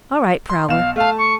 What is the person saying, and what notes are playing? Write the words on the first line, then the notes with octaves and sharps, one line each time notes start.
"All right, Prowler."
C6
B1 F5 E7
A3 F5 A5
C#6